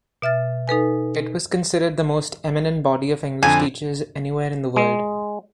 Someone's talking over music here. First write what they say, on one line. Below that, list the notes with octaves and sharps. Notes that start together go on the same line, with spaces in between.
It was considered the most eminent body of English teachers anywhere in the world.
B2 E5 F6 A6
D#4 A4 B4 G#5
F2 D3 G#5
G#3